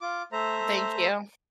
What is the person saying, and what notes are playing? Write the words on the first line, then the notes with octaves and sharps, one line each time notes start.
Thank you.
F4 D6
A3 C5 E5 A#5